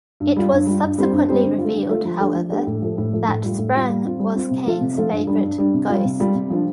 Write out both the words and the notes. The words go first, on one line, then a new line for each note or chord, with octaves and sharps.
It was subsequently revealed, however, that Sprang was Kane's favorite "ghost".
G2
G3 F4
G2
G3 F4
G2
G3 C4 G4 C5
G2
G3 C4 G4 C5
D3
F4
A3
D3
A3 F4
F3
A3 D4 G4
F3
A3 D4 G4
A2
F3 A3
A2
F3 A3
A2
G3 F4
A2
G3 F4
G3
C4 F4
G3
C4 F4
C3
F3 A3 F4
C3
F3 A3 F4
G2
G3 D4
G2
G3 D4
C3
G3 F4
C3
G3 F4
C3
F3 D4 F4